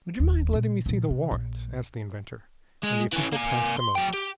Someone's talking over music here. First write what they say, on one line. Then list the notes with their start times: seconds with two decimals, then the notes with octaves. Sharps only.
"Would you mind letting me see the warrants?" asked the inventor, and the official passed them over.
0.19 E1 D#2
0.53 A#2 C#3
0.86 A#2 F3
1.11 C3
1.31 A#1
2.83 G#3
3.13 E3 C#4
3.33 A#3 G#5
3.77 C6
3.95 F#3 G5
4.14 G4